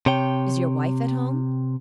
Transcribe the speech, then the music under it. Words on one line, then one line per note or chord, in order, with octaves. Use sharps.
"Is your wife at home!"
C3 C#5 G5